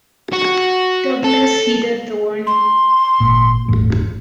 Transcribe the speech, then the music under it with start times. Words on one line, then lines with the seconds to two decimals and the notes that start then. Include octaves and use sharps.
Douglas heeded the warning.
0.33 F#4
1.24 A4
2.47 C6
3.20 G#1 A#2
3.68 G1 E2 A2